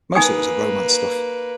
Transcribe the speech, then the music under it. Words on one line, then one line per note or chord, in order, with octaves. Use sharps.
Most of it was the romance stuff.
A#3 D#4 B4 G#5 D#6